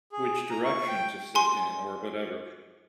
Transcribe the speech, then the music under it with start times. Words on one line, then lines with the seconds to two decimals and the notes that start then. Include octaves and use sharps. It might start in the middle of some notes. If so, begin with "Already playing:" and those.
which direction to sit in or whatever,
0.12 G#4
0.51 A#5
0.65 C#6
0.88 G5
1.35 G#5 C6